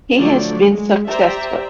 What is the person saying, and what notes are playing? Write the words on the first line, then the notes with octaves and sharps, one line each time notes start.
He has been successful.
D3 F3 F#3 A3 D5
G#3
G4 C5 D5 E5 G5 A#5